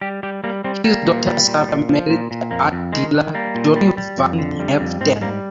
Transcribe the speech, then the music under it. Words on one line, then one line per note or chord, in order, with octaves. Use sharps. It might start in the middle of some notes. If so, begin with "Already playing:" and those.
His daughter Sarah married the art dealer Johnny Van Haeften.
G3 G4
G3 G4
G3 A#3
G3 C4
G3 A#3
A#2
G3
A#2
A#2
F3
A#2
A#2
F2 A#3
F2
D#3 G#3
D#3
G3 A#3
A#2
G3
G3
F2
D3
G3
F2
G#2 C4
G#3
G3 A#3